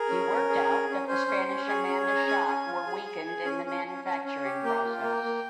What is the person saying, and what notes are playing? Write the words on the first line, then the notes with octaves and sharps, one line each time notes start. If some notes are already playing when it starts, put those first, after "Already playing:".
He worked out that the Spanish Amanda shot were weakened in the manufacturing process.
Already playing: G#4 A#4
C#4
C#4
G#4
C#4
C#4
C#4 C5
C#4
C#4
G#4 C#5
C#4
G#4
A#5
C#4 G#5
C#4
F4
G#4
G#4
G#4
C#4
C#4
C#4
C#4
C#4
G4
A#3 G5
F4
A#3
A#3